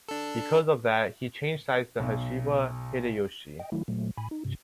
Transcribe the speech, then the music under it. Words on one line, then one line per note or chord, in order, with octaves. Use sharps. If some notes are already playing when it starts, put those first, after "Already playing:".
Because of that, he changed sides to Hashiba Hideyoshi.
D4 A4
B1
D#5 G5
D#3 F#3 A3 E4
A#2 F#3 A3
A2 G#5 B5
D#4
G2 C3